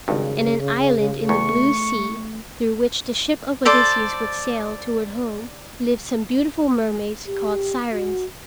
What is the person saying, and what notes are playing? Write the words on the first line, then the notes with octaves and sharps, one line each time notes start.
In an island in the blue sea through which the ship of Odysseus would sail toward home, lived some beautiful mermaids called Sirens.
G#1 G2 C#3
E2 A3 C#6
A4 C5 D5
G4
F#4